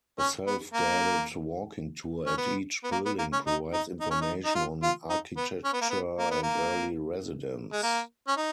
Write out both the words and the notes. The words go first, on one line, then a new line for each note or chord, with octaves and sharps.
A self-guided walking tour at each building provides information on architecture and early residents.
C#4
B3
A#3
C#4
B3
B3
A#3
B3
A#3
C#4
D#4
D#4
D#4
C#4
D#4
D#4
F4
F4
D#4
B3
C#4
B3
A#3
B3
A#3
B3
A#3
G#3
A#3
C#4
D#4